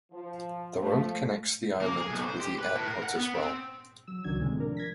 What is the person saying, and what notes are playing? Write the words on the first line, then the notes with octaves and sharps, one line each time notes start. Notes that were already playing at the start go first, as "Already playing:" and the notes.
The Road connects the island with the airport as well.
F3
F3 A3
A#3
G#4
B1
C5
G4
B4
A2
A#4
F#5
B3
C4
F#3 E6
C#2 D#3 F#3 D4 G#6
A2 C3 D#3 G#3 A3
F3 D4 A#4
G#6 A#6 B6